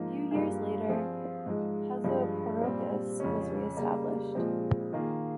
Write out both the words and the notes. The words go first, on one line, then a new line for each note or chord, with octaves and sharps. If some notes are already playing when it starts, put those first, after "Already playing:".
Few years later, Pezoporikos was re-established.
Already playing: G#2 F3 A#3 D#4
G2 G3 A#3 F4 G#4
F3 C4 F4 G#4
G#2 F3 G#3
G2 F3 G#3
A#2 G3 C4
F2 C#3 G#3 C#4
C#3 G3 A#3
A#2 F3 G#3 C4
D#3 A#3 F4 G#4